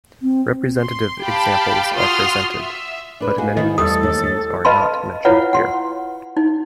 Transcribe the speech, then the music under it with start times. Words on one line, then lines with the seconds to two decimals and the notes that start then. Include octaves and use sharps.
Representative examples are presented, but many more species are not mentioned here.
0.22 C4
0.81 C6
1.22 G4 F5 G5 A5 B5
1.96 F4 F#4 C6 D#6 F6
2.58 E5
3.20 D4 B4
3.38 D#4 F#4 G#4 F5
3.57 D#3 C4 E4 D#5
3.78 E2 G3 A3 A4 D#6
4.03 D#2
4.65 B4 D#5 F5 A5 B5 C6
5.25 E4 F4 B4 C#5 F5 F#5
5.53 F#5 C6
6.37 D#4